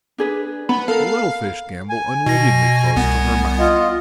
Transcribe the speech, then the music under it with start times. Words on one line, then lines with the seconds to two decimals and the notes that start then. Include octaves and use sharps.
The little fish gambol unwittingly close to her mouth.
0.18 D4 G#4 B4
0.69 B3 B5
0.88 A4 A#4 F5
1.89 G#5
2.26 B2 A#6
2.96 C2 B3
3.59 F4 D#5